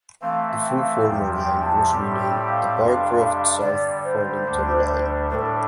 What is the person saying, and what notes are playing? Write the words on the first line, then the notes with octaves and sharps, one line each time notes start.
The full former line was renamed the "Barcroft–South Fairlington Line".
E3 A3 C4 F5
E5
G5
F5
E2 C3 F3 G5
G5
A5
A2 G3 C4 G4
G5
F5
F2 C3 G3 D4
G2 D3 G3 D5
C5
D2 D3 G3 D4
A2 G3 D4 A4 C5